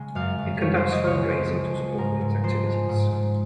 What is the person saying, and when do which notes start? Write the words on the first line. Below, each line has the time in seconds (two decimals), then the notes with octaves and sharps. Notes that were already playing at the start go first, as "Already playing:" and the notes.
It conducts fundraising to support its activities.
Already playing: C#3 G#3
0.15 F#2 F5
0.38 F#2
0.61 C#3 C#5
0.76 C5
0.85 F#3
0.92 D#5
1.06 C#2 C#5
1.30 C#2 C5
1.52 F3
1.76 G#3
1.98 G#2 A#4
2.21 G#2
2.44 F3 C5
2.66 G#3
2.89 G#2
3.12 G#2